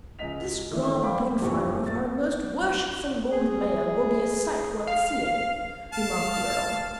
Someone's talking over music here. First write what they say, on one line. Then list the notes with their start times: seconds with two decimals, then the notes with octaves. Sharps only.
"This grand bonfire of our most worshipful Lord Mayor will be a sight worth seeing," remarked the earl.
0.19 C#2 G#3 D#5 B6 F7
0.71 D#3 E3 A3 D4
1.02 C5 D5 F5 G5 B5 D6
1.41 F#1 E2 G2 A#2 G4 C#6
1.82 G#4 A6
3.32 G#4
4.87 F5
5.93 F5 A5